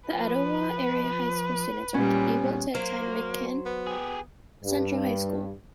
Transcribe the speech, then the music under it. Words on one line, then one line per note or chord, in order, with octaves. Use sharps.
The Etowah area high school students are able to attend McMinn Central High School.
F3 B4
A#2 G3 B3 C#4
F#3 A#3 C5
B3
G4 G#4
G2